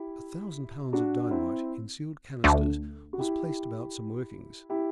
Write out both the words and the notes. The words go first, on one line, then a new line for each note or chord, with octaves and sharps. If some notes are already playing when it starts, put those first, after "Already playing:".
A thousand pounds of dynamite, in sealed canisters, was placed about some workings.
Already playing: E4 G4
D4 F#4
C4 E4
D2 D3 A3
F#4
E4 G4
E4 G4